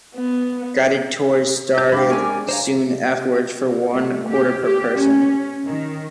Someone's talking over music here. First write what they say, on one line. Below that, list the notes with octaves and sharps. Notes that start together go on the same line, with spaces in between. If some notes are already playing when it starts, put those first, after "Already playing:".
Guided tours started soon afterwards for one quarter per person.
B3
G4 D#5 A5 G6
G#3 D4 G4 F5 G5 B5 D6
A#4 C#5 D5 G#5
G#4
G#4 C5 C#5 F5 G#5 A#5
A3
G4
G4
C#4
D#3